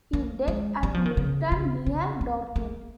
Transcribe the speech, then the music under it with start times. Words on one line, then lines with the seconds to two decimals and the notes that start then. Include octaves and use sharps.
He died at Milton, near Dorking.
0.13 A#3
0.48 G#3
0.83 G3
0.94 F3
1.05 D#3
1.17 C#3
1.52 C#3
1.86 C#3
2.21 C4
2.56 A#3